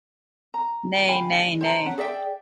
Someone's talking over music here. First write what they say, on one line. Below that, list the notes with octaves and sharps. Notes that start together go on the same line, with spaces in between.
Ne, ne, ne.
A#5
F5 G5 G#5 B5
D#5
C5 A5 A#5
C#4 F#5
G#4 D5 E5 G5